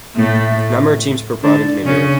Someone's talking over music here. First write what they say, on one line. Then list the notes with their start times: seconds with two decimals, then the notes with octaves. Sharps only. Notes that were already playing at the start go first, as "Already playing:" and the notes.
Number of teams per province may vary.
0.16 A2 A3
1.43 D3 D4
1.85 C#3 C#4